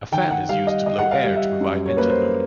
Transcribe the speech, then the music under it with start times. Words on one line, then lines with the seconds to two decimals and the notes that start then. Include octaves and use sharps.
A fan is used to blow air to provide engine load.
0.12 D#3 G5
0.31 F#5
0.49 G3 F5
0.67 D#5
0.86 G3 D#5
0.99 F#5
1.11 F5
1.24 G3
1.36 E5
1.60 F#2
1.86 C#5
1.97 A#3 B4
2.10 C5